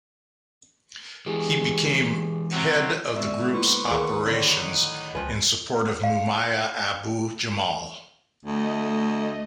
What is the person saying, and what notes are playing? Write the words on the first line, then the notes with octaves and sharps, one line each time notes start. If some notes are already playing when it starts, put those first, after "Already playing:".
He became head of the group's operationsin support of Mumia Abu-Jamal.
E3 G#3 G4 G#4 G#5
C3 F#3
B2 D3 G#3 D5 E5
A#3 E4 F4 B4 C5 C#6
D2 D#3 G#4 A#4 F#5
A2 D3 F#3 C4 C#5 B5 B6
D#4 D#6 F#6
C#2 F3 B4 C5 G5 G#5
F5
D2 A3 D#5